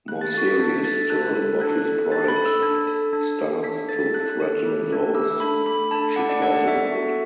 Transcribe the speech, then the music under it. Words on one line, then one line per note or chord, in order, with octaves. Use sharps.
More serious still, Buffy's pride starts to threaten those she cares about.
A3 F#6
A6
F#4 A4 A6
B6
D4 B6
A4 A6
D4 F#6
A4
D4 F#6
A4
D4 A6
B5
A4
E6
D4
A4
D4
A4
D4 B6
A4 A6
D4 F#6
A4
A3
D4 A4
A3 E6
D4 A4 B5
A3 B5
D4 A4 A5
A3 F#5
D5
D4 A4 F#5
D5
B3 E5
F#4 A4